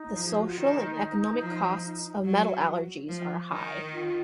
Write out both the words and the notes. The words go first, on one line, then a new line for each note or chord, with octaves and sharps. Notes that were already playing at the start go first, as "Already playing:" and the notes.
The social and economic costs of metal allergies are high.
Already playing: D#4
F3
G#4
F#4
F4
D#3 D#4
F3
F#3
F3
D#3
F4